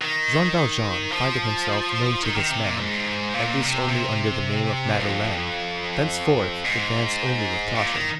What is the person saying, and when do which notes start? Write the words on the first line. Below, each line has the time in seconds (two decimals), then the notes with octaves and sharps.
Jean Valjean, finding himself known to this man, at least only under the name of Madeleine, thenceforth advanced only with caution.
0.02 D#3
1.12 F3
2.23 D#3
2.37 D#3
2.50 C3
2.64 A#2
2.78 G#2
3.34 A#2
3.61 C3
3.88 C3
4.99 F2
6.64 G#2
7.75 A#2
7.93 D#3